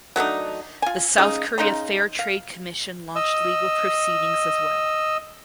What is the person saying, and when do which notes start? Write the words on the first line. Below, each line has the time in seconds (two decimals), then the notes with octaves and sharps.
The South Korea Fair Trade Commission launched legal proceedings as well.
0.16 F#3 A3 D4 D#4
0.82 F4 G#5
1.18 C#3 G#3 D#4
1.58 C#3 D#4 A#5 C6
2.19 F5
3.16 D#5 E6